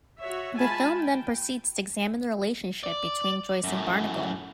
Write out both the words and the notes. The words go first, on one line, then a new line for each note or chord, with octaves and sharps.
The film then proceeds to examine the relationship between Joyce and Barnacle.
F#4 C#5 E5
G#3 F4 G#5 A5 B5
G5
D5
F#2 A2